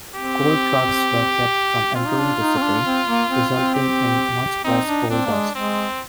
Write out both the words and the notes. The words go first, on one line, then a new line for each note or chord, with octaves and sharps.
Coal trucks were kept from entering the city, resulting in much less coal dust.
C4 G4
C4 F4
D#4
D4
D#4
C4
D4
C4
A#3
C4
C4
G4
C4 D#4
D4
C4 D4
A#3
G#3
G#3 C4